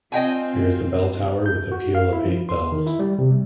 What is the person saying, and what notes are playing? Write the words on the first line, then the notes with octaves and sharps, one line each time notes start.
There is a bell tower with a peal of eight bells.
C4 F4 D#5 G5 G#5
G6
F#4
F5
E4
F3
C6
D#3
E4
G3
C3
G3